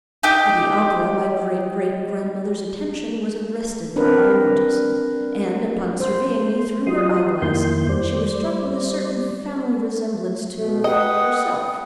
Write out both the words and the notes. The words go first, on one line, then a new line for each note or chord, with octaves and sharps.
At the opera, my great, great, grandmother's attention was arrested by my notice; and, upon surveying me through her eye-glass, she was struck with a certain family resemblance to herself.
D#4 G4 G6
C4 D4 A#4 B4
C5
F#3 F4 G4 D#5 C6 D#6
F2 D#3 A#3 E4 C6 G6
G3 C5 D5
B2 A3
B4 D#5 F#5 G5 D#6